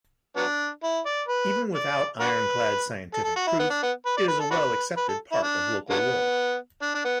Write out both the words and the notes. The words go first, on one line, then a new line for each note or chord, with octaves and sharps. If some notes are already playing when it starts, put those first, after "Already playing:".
Even without ironclad scientific proof, it is a well-accepted part of local lore.
F#3 B3 D4
E4
D5
B4
D5
D4 F#4 B4
A4
A4
F#4
E4
B3
D4
B3
B4
D5
B4
A4
D4 F#4 B4
B4
A4
E4
D4
D3 F#3 B3
D4
D4
B3